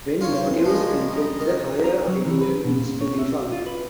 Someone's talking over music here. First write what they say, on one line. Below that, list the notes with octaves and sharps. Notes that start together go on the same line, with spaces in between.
When motives conflict, the higher ideal is to be followed.
F4 C#5
F2 E3 C5
F3 G3 G#3 A#3 C#4
G3 D#5 A#5
D#3
A#5
F#3
E3
B4
B2
A#2
C#5
E5
F4
B4